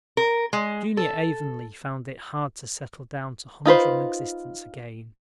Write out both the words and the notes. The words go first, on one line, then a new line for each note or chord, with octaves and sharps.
Junior Avonlea found it hard to settle down to humdrum existence again.
A#4
G#3
A4
D#4 F4 B4 C5